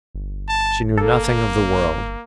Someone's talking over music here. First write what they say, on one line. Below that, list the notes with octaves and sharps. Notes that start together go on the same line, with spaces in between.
She knew nothing of the world.
G1
A5
A#3 A4